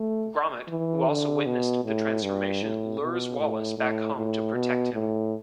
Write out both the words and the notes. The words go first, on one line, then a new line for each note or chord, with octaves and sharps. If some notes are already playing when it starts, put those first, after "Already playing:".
Gromit, who also witnessed the transformation, lures Wallace back home to protect him.
Already playing: A3
E3
D3
B2
A2
G2
A2
B2
A2
A2
A2
B2
A2